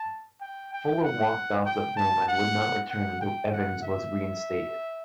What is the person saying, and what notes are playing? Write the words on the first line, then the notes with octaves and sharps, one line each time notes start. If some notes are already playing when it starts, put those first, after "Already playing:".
Fuller walked off the film and would not return until Evans was reinstated.
Already playing: A5
G5
G5
F#5
G5
A5
F#5
F#5
G5
F#5
E5